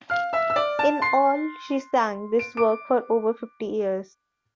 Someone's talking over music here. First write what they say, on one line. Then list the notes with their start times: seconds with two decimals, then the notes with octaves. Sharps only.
In all she sang this work for over fifty years.
0.10 F5 F6
0.33 E5 E6
0.50 E6
0.56 D5 D6
0.79 A5 A6
1.02 C6 C7
2.39 D7
2.57 D6 D7